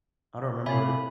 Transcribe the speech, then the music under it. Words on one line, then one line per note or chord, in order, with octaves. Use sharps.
I don't 'member it.
C3 C4 G4 C#5 E5 F5 G#5 B5